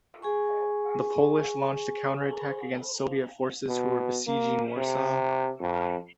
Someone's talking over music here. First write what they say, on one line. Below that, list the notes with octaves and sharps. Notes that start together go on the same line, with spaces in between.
The Polish launched a counterattack against Soviet forces who were besieging Warsaw.
G#4 G#5 C#6
B2
A#3
C3
F2